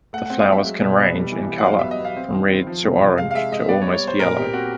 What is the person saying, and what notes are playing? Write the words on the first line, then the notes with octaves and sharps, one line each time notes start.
The flowers can range in color from red to orange to almost yellow.
A3 F#5
F#5
C4
F5
F#3 E5
G#3
B2
B3
G3
E3
G3
F#5
F#3 F5
E5
B3
D#5
B3
F5
C4
D#3
C4
F3
C3
C3
G#3 F5
F5
G#3 E5
G#3 D#5
B3 D5
C#5
G3
C#5
B3 C5
A#2 A#4
C4 G4
C4 F#4